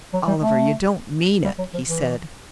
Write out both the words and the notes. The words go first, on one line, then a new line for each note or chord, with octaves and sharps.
"Oliver, you don't mean it," he said.
F#3
G3
A3
G3
F#3
F3
E3